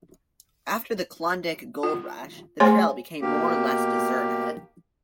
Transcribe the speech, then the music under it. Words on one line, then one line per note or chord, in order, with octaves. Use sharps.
After the Klondike Gold Rush, the trail became more or less deserted.
F4
A3 G#4 C5 C#5 G#5 C6
B2 A#3 G4